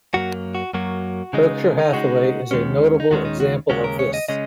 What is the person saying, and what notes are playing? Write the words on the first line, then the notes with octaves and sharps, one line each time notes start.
Berkshire Hathaway is a notable example of this.
F#2 F#3 A#3 F#4
F#4
F#2 F#3 A#3 F#4
C#3 G#3 D#4
D#4
C#3 G#3 D#4 F#4
D#2 D#3 G#3 C#4
D#4
D#2 D#3 G#3 C#4 F#4
D#4
F#4
D#2 C#3 G#3 C#4 F#4
A#4
C#5
D#5
C#3 G#3 C#4 D#5